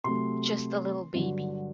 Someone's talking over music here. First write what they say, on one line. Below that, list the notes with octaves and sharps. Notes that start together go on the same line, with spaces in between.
Just a little baby.
C3 F#3 A3 C6
G2 D3 F#3